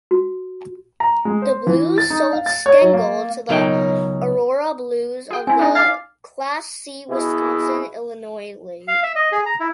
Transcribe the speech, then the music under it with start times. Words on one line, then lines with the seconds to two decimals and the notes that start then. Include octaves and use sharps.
The Blues sold Stengel to the Aurora Blues of the Class C Wisconsin-Illinois League.
0.11 F#4
1.00 A#5
1.25 G#3
1.42 C5
1.67 E3
1.98 A6
2.10 D#4
2.33 F5
2.46 A6
2.66 C#5
2.81 F#3
2.93 A#3
3.49 C#2 B2 F#3 A#3 D#4 G5
5.31 F#4 G#4 G5
5.47 C4 E4 G#5
5.59 D4 D#4 G#5
5.75 D5 F5 D6 A6
7.09 B2 E4 G#4
8.88 F5
9.03 E5
9.15 D#5
9.32 G#4
9.46 A#5
9.60 E4